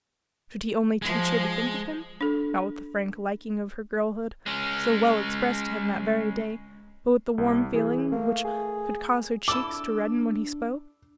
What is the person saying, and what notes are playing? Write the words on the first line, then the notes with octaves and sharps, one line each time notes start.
Should he only teach her to think of him, not with the frank liking of her girlhood, so well expressed to him that very day, but with the warm feeling which would cause her cheeks to redden when he spoke?
F3 G#3
D4 A4
G#3 C#4
C2
E3 G#4
A3 A#3
G#4
D4 E4 A4 D6